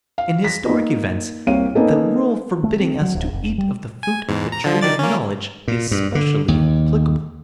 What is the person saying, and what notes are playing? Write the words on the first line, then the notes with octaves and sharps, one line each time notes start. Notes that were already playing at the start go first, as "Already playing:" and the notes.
In historic events the rule forbidding us to eat of the fruit of the Tree of Knowledge is specially applicable.
F5
A#6 B6
A#3 D#4
C2 A#3 C4 C#5 F5 D#7
A#3 B3 C#4 D#4 A4
A3
C4
F#3
D1
F1
G3
G#5
E2 G#2
A#5
D3 F3
D#3 D5 A6
A#3 C#4
A#2
G2
D3
D#2